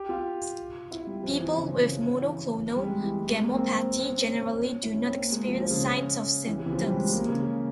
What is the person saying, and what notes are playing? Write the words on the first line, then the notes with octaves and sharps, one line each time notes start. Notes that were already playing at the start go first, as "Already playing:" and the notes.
People with monoclonal gammopathy generally do not experience signs or symptoms.
Already playing: G4
F4
E4
G3
F3
E3
C#3
C#3
E3
G3
G#3
E3
G#3
A#3
C4
C#4
E4
C#4
C4
A#3
G#3
F3
F3
C#3
E3
C#3
E3
F3
G3
G#3
A#3
C#3